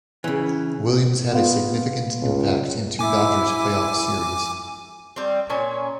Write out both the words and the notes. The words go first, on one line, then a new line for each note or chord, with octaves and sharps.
Williams had a significant impact in two Dodgers playoff series.
C#3 E3
B3 F4
C#2
E4 G#5 D6
G3 C4
A#2 C#4 C#5 G#5